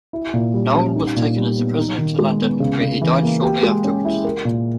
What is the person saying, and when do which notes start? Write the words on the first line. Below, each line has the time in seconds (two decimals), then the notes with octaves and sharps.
Noel was taken as a prisoner to London, where he died shortly afterwards.
0.13 E4
0.34 A#2
0.54 G3
0.75 C#4
0.96 D#4
1.16 A#2
1.36 G3
1.58 B3
1.78 D#4
1.98 D#3
2.19 G#3
2.40 B3
2.60 C#3
2.81 C#3
3.01 E3
3.22 A#3
3.42 G4
3.63 G#3
3.84 C#4
4.05 E4
4.24 A#4
4.45 A#2